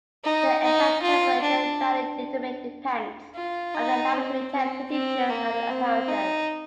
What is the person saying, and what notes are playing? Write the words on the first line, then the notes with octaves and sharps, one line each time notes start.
The exact temperature value determined depends on the laboratory test conditions and apparatus.
D#4
D#4
F4
D4
F4
D#4
C4
C4
C4
A#3
C4
D#4